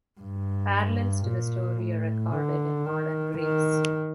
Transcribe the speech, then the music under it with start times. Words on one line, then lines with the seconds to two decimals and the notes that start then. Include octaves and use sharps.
Parallels to the story are recorded in modern Greece.
0.21 G2
1.27 A#2
1.80 A2
2.33 D3
2.86 D#3
3.39 D#3